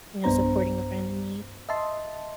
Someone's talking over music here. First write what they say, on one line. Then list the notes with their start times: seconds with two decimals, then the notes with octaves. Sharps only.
you know, supporting a friend in need?
0.24 B1 G2 B3 D4 C5 A#5
1.69 D#5 E5 A5 C6